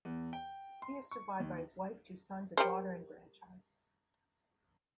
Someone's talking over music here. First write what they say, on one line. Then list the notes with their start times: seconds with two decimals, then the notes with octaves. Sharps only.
He is survived by his wife, two sons, a daughter and grandchild.
0.05 E2
0.33 G5
0.82 C6
1.11 C#6
1.40 D#2
2.57 G3 A#4 C5